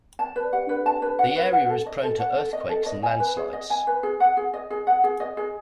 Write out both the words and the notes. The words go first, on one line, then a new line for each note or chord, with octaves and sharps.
The area is prone to earthquakes and landslides.
A5
B4
F#5
B4
A5
B4
F#5
B4
F#5
A4
D#5
A4
F#5
A4
D#5
A4
D#5
G#5
B4
G#4
D#5
G#5
B4
G#4
F#5
G#4
D#5
G#4
F#5
G#4
D#5
G#4